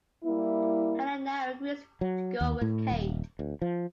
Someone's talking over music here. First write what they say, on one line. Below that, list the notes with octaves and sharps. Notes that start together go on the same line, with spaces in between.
Helena agrees to go with Kate.
G3 A#3 E4
F#3
D#2
A2
D#1
D2
F3